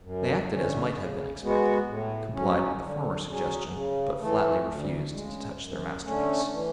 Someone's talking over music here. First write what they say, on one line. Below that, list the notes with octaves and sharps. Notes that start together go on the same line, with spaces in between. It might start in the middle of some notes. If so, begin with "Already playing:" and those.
They acted as might have been expected: complied with the former suggestion, but flatly refused to touch their masterpiece.
F#2
D3 A3 C#4
C#3
G#3 B3 F#4
A2
F#3 C#4
D3
F#3 C#4 G#4
C#3
E3 A3
D2
C#3 G#3
F#2
D3 A3 C#4
E3